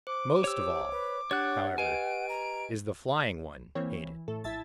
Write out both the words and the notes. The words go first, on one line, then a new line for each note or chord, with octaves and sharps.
Most of all, however, is the flying one hated.
C5 D6
G4 C#5 E6
B4
D4 G4 C#5 F#5 F#6 A6
G4 B4 D#5 G#5 D7
A#5
E3 A#3 C4 C#5
A2 A4
A#1 E4 E5 A5 A6